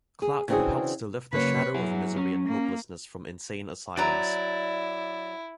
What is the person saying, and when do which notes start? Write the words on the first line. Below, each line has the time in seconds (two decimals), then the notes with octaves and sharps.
Clarke who helped to lift the shadow of misery and hopelessness from insane asylums.
0.22 G#4
0.48 C#3 E3 C4 D4 F#4 G#4
1.33 C#3 F#3 A#3 B4 C#5
1.74 F#3 E4 G#4
2.17 C#4
2.48 A#3
3.97 F#3 E4 D5 A#5